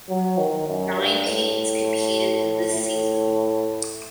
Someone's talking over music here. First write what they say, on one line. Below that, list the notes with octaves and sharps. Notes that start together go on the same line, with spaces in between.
Nine teams competed in this season.
F#3
D#3
F#2
G2
A2
A2